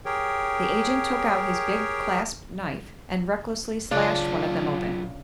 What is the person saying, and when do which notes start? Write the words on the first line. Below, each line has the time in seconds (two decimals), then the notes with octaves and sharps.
The agent took out his big clasp knife and recklessly slashed one of them open.
0.05 G4 G#4 A#4 C#5 G5
3.91 B1 C#3 D4 F4